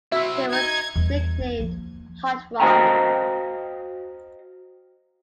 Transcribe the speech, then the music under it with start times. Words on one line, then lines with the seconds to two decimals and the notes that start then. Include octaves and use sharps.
He was nicknamed Hot Rod.
0.12 C4 E4 F#4 E5
0.53 D#4 G#6
0.96 E2 G3
1.40 C4
1.60 F3 A#3
2.60 F#4 C5 D#5 F5 G5 A#5